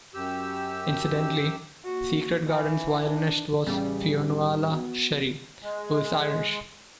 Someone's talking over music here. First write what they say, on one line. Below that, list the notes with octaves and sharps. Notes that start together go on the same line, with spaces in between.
Incidentally, Secret Garden's violinist was Fionnuala Sherry, who is Irish.
F#2 G4 E6
A#3 F#4
E3
D4
A1 C#3 G3 A6
B3 F#4
G#3